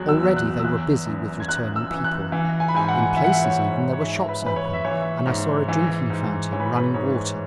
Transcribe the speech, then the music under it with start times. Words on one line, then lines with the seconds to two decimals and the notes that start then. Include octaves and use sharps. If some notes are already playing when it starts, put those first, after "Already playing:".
Already they were busy with returning people; in places even there were shops open, and I saw a drinking fountain running water.
Already playing: E2 F#3 F#6
0.09 E6
0.23 E2
0.37 F#6
0.60 E6
0.64 E3 F#6
1.06 F#2
1.40 G#6
1.48 F#2 F#6
1.76 E6
1.91 E3
2.04 F#6
2.32 E3
2.60 G#5
2.68 B5
2.74 G#2 G#5
2.88 F#5
3.16 E3 E5
3.24 F#5
3.32 E5
3.44 C#5
3.59 G#2
3.72 C#5
3.93 C#5
4.00 G#2 E5
4.29 B4
4.42 E3 B4
4.56 C#5
4.73 E5
4.85 E3 C#5
5.26 G#2
5.68 E3
6.10 G#2
6.52 E3 C#5
6.60 B4
6.76 B4
6.94 G#2 C#5